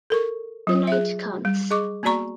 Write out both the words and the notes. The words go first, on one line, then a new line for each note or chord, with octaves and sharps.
The night comes.
A4 A#4 C#6
F#3 F4
G#4 E5
G3
G#4 D#5 C#6 D6
A#3 B3 F#4 D5 A#5 C#6